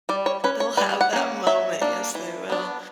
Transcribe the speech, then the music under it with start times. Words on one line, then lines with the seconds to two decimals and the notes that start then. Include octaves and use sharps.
They'll have that moment, yes they will.
0.09 G3 D5
0.26 C#5
0.44 C#4 B4
0.60 C#5
0.77 G3 B4
1.01 F#5
1.13 A#3 C#4
1.47 F#3 E5
1.81 A#3 D4
2.15 E3
2.50 B3 D4